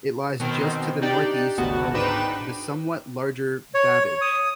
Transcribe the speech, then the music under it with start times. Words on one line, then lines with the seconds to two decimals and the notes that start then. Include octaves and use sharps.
It lies just to the northwest of the somewhat larger Babbage.
0.40 B2 D#3 C4
1.02 D4 D#4 G4 D5 G5
1.58 G#1 D2 C#3 B3 F#4 A5
1.94 G#2 D4 D#4 B4 G5 E7
3.74 C#5
4.21 D#6